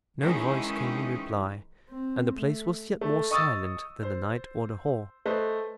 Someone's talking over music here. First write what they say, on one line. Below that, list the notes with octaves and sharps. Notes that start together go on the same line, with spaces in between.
No voice came in reply, and the place was yet more silent than the night or the hall.
D#3 E3 G#3 C#4 D#4
C4
A3
A3
D#5 C#6 D#6 E6 A6
C5
A3 B4 C5 D#5